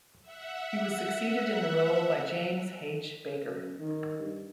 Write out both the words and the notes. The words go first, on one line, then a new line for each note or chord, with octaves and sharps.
He was succeeded in the role by James H. Baker.
E5 F#5
F#2
D#3
G2